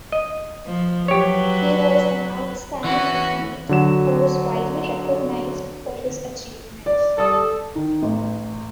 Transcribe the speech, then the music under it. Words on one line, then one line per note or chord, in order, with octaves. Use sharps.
He was an outstanding athlete who was widely recognized for his achievements.
D#5
F3
F#3 G4 B4 C#5
E3 C#4 F#4
D3 F#3 E7
D5
G3 A4 D5 D#6
D#3
A1